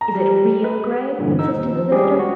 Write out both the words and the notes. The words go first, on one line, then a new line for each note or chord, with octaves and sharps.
"Is it real grey?" insisted the visitor.
A#5
G3
B4
G2 A#2 D3 E3
D#4 E6
D#2
F3
G3 G#3 C#4 G4 G#4
F#4